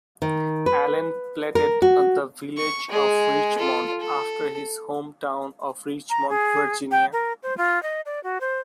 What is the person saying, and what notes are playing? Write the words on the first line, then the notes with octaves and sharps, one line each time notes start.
Allen platted the village of "Richmond", after his home town of Richmond, Virginia.
D#3
B4
A#4
F#4
C#6
G#3 G#4
F4 A4
A4
A#5
G#4
G5
A#4
C5
F4
D#5
D5
F#4
C5